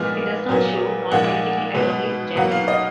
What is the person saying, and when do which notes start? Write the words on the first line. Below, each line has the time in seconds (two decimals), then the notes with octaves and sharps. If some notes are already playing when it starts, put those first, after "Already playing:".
It does not show non-political attorneys-general.
Already playing: A#2 F3 G#3 B3 F6
0.49 A#2 F#3 B3
1.12 A#2 F3 G#3 F#5
1.75 B2 G#3 B3
2.36 B2 F#3 A#3 F#5
2.52 F5
2.68 D#5